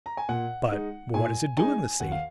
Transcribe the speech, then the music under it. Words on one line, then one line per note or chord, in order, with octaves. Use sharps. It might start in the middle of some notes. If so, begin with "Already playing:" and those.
But what does it do in the sea?
A#5
G#5
A#2 F#5
G#3 D#4
A#2 G#5
G#3 D#4 G#5
D#2 F#5
F5